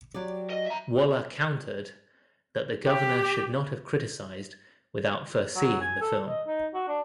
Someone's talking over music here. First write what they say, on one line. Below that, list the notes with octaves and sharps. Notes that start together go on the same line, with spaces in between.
Waller countered that the Governor should not have criticized without first seeing the film.
F#3 G4 D5
D#5
E5 A#5
G4
F#3
G#5
A4
D#5
D#4
F#4
D4